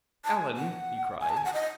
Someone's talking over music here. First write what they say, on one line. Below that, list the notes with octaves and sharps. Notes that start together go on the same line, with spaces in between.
"Alan!" he cried.
A5
G#5
F#5
G#5
A5
G#5
F#5
D#5